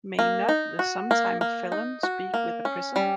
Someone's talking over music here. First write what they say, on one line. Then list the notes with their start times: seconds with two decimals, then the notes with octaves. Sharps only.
May not the sometime felon speak with a prisoner?
0.19 A#3
0.49 D#4
0.79 F#4
1.11 A#3
1.41 A#3
1.72 D#4
2.03 F#4
2.34 A#3
2.65 C#4
2.96 G3